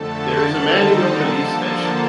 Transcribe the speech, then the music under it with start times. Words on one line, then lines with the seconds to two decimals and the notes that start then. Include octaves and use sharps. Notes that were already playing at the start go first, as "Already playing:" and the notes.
There is a man in your police station.
Already playing: F2 D3 A3 A4 A5
0.44 D#2 D3 G3 C4 D#4
1.15 D3 F3 A#3